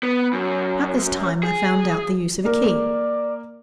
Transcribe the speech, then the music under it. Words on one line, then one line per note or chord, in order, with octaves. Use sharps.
About this time I found out the use of a key.
B3
F#2
G#4
A#3 A#4 D5